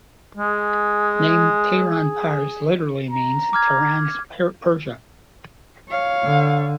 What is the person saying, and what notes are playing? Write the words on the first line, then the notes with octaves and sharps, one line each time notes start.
The name Tehran Pars literally means "Tehran's Persia".
G#3 G#4
A#5
D6 F6 G#6
C#5 F5
D3